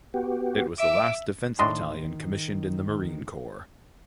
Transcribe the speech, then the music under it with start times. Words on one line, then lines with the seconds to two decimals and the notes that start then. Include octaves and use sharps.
It was the last defense battalion commissioned in the Marine Corps.
0.14 B3 F#4 G4
0.78 E5 D6
1.59 A2 D#3 D4 D#5 C6